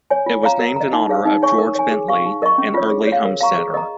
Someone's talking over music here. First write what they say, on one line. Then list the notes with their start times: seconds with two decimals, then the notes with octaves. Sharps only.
It was named in honour of George Bentley, an early homesteader.
0.10 C#5 G#5
0.26 F4
0.43 C#5 F5 A#5
0.59 A#4
0.76 D#5 A#5
0.93 D#4
1.09 G#4 C#5 F5
1.25 D#4
1.42 C#5 G#5 C#6
1.58 A#4
1.75 C#5 G#5
1.92 G#4
2.08 F5 C#6
2.25 D#4
2.42 A#4 D#5 C#6
2.58 C#4
2.74 F4 C#5
2.91 G#4
3.07 C#5
3.12 F5
3.25 A#4
3.41 F5 A#5 C#6
3.58 G#4
3.74 D#5 A#5